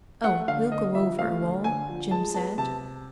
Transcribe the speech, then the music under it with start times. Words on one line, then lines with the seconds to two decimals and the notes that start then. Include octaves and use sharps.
"Oh, we'll go over, Wal," Jim said.
0.24 A3 F#5
0.48 D3 F5
0.72 D3 D#5
0.95 F3 E5
1.19 A3 F5
1.41 D3
1.64 D3 G#5
1.89 F3
2.11 G#3 A5
2.34 B3 A5
2.58 C3 A5